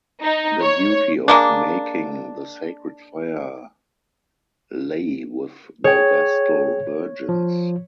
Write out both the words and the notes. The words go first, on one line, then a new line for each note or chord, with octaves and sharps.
The duty of making the sacred fire lay with the Vestal virgins.
D#4
C#5
G#3 A#3 D4
G#4 C#5 G5
F3